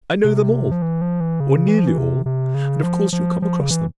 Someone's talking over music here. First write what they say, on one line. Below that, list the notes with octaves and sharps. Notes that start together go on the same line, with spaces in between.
I know them all, or nearly all, and of course you'll come across them.
C3
F3
E3
F3
E3
C#3
E3
F3
E3
C3
C3
C#3
F3
F3
F3
C#3
E3